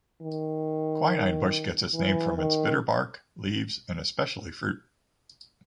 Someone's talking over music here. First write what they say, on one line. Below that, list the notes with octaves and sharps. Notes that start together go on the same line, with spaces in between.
Quinine bush gets its name from its bitter bark, leaves, and, especially, fruit.
D#3
E3
D#3